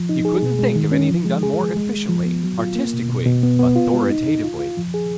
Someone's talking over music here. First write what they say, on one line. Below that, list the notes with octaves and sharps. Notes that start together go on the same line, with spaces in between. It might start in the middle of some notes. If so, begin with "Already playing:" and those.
You couldn't think of anything done more efficiently, artistically, authoritatively.
Already playing: F3
D#4
G#4
B2
G#3
D#3
C#4
F3
G#3
G#4
F3
G#3
G#3
F3
B3
F#3
F4
A#3
B2
B2
B2
B3
B3
F4
G#3
D#4
D#4
F4
F4
F3
G#4